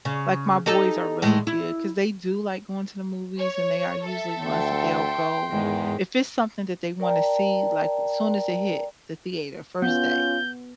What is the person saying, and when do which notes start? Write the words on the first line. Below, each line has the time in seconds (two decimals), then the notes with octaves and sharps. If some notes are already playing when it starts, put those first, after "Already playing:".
Like, my boys are really good 'cause they do like going to the movies and they are usually ones that they'll go. If it's something that they want to see like soon as it hit the theater, first day,
0.05 C#3
0.66 D#4 G4 A4
1.22 A2 G#3
1.47 E4
3.38 C#5
4.04 A4 E5
4.43 D2 G5 C6
5.50 E2 G#2 D#3 G#3
7.00 A#4 D5 G5 A5 A#5
9.82 B3 C#4 F4 G6